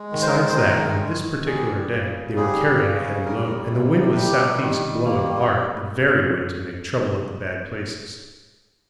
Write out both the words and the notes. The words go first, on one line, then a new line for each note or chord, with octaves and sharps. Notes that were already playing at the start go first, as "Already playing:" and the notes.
Besides that, on this particular day they were carrying a heavy load, and the wind was southeast, blowing hard--the very wind to make trouble at the bad places.
Already playing: G#3
D#3
C5
A#4
C5
G#3 A#4
D#3
G3 G#4
C#3
G3 G#4
C#3
G3 A#4
C3
G3 G4
D#3
G3 A#3